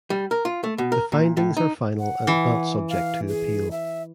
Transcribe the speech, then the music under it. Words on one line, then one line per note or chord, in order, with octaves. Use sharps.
The findings are final and not subject to appeal.
G3
A#4
F4
A3
B2
A#4
A#2
A2
D#4
F#5
E3
F5
G#4
E5